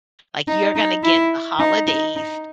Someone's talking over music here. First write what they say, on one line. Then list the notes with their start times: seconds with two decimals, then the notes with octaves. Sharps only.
Like, you're going to get the holidays
0.48 D#4
0.75 D#4
1.04 E4
1.59 D#4
1.87 D#4
2.16 D#4